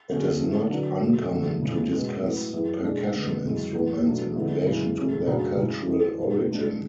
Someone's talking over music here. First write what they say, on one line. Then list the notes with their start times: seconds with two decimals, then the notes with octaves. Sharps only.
It is not uncommon to discuss percussion instruments in relation to their cultural origin.
0.09 D3 F#3 C#4 G#4
0.40 A2 E3 A3
0.70 D3 F#3 B3 D4
1.00 E2 B2 F#3
1.31 F#2 D3 A3
1.62 E2 C#3 E3 G#3
1.92 B2 G#3 B3 F#4
2.22 A2 F#3 B3 E4
2.53 F#2 E3 B3 E4 G#4
2.83 B2 G#3 D4 G#4
3.13 D3 G#3 B3
3.44 F#2 C#3 E3 G#3
3.74 A2 E3 B3
4.05 B2 F#3 A3 D4
4.35 D3 G#3 B3 E4
4.65 F#2 C#3 E3 G#3 C#4
4.96 E2 B2 A3 C#4 G#4
5.26 F#2 C#3 F#3 A3 D4
5.57 C#3 E3 G#3
5.88 E3 B3 E4 G#4
6.18 B2 F#3 B3
6.48 A2 G#3 D4